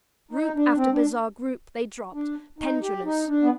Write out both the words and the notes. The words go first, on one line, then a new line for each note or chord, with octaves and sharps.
Group after bizarre group they dropped; pendulous.
D#4
D4
C4
D4
D4
D#4
G4
D#4
D4
B3